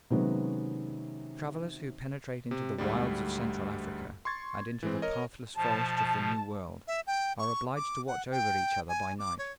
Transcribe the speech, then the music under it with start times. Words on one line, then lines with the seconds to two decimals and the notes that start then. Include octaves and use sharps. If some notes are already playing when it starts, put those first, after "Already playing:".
Travellers who penetrate into the wilds of central Africa, and into the pathless forests of the New World, are obliged to watch over each other by night.
0.10 C3 D#3 F#3 G#3 B3 C#4
2.51 C3
2.78 D2 G#2 G3
4.25 C6 C#6 G#6 A6
4.83 E3 G#3 C4
5.02 A#4 C#5 D#5
5.57 B2 F3 A5
6.88 E5
7.07 G5
7.39 C#6
7.76 D6
8.07 F#5
8.32 G5
8.89 G#5
9.19 D6
9.39 C#5